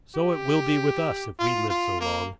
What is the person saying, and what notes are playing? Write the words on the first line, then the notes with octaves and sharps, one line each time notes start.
So it will be with us, if we live so long.
G4
F4
F4
A#3